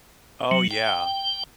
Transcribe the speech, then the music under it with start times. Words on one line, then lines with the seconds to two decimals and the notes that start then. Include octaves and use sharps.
Oh, yeah.
0.51 F#3
0.71 G5